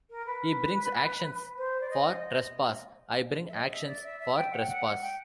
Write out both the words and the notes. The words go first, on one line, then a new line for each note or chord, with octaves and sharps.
He brings actions for trespass; I bring actions for trespass.
A#4
B4
C5
D5
D#5
E5
D#5
E5
D5
E5
E5
G5
F#5
F#5
G5